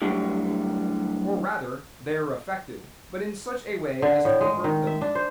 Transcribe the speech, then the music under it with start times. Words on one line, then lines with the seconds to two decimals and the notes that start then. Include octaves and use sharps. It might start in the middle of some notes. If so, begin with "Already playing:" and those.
Or rather, they are affected, but in such a way as to pervert them.
0.02 F#2 A2 D3 G3
4.02 D3
4.25 A2
4.41 G#3
4.64 D#3
4.87 E5
5.01 D4
5.15 C5